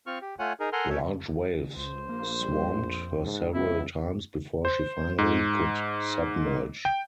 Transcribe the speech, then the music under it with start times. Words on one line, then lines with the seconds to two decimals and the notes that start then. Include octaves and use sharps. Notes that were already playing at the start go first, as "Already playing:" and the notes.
Large waves swamped her several times before she finally could submerge.
0.07 C4 F4 C#6 F6
0.22 G4
0.39 A3 F4 C#5 F#5 G#5
0.60 D#4 G#4 A#4
0.73 A4 A#4 F#5 G#5 C6 F6
0.90 A3 C#4 A4 C#5 E5
1.76 C#2 C5
2.09 A#1 A#3
2.40 G3
2.79 F2
3.24 G#2
3.54 C#2 B3 E4
4.65 C5
5.18 G#2
6.85 G5